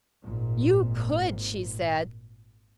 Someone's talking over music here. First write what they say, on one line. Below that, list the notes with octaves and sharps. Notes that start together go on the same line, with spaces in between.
"You could!" she said.
G#1 A#2